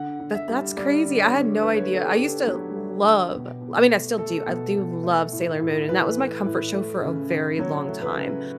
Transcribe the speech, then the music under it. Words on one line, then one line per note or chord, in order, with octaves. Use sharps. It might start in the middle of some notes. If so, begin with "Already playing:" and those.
That that's crazy, I had no idea, I used to love I mean, I still do, I do love Sailor Moon, and that was my comfort show for a very long time,
Already playing: D3 F#5
D3
E5
G3
G3 D5
D3
C#5
D3
A3 B4
C#5
B4
D3 A4
G4
D3
F#3
A3
D3
B2
B2
A3
A3 A4
B2
B2
A3
A2
A2
E3 B4
A3
A2
A3
C#3
C#3
F#3 C#5
A3
B4
C#3